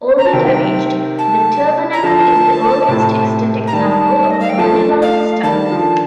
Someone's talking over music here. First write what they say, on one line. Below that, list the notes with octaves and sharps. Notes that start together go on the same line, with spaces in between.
Although damaged, the tabernacle is the earliest extant example of Berneval's style.
A#5
A5
C3 D#3 G5
A5
A#5
D3 F3 A5
A2 C3
A#5
D#3 G3 A5
D#5
F5
G5
F3 A3 A5
F5
D#3 G3 A5
D3 F3